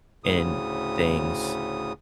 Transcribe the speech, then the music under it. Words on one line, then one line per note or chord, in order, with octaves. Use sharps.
in things.
D2 A2 C#3 D#6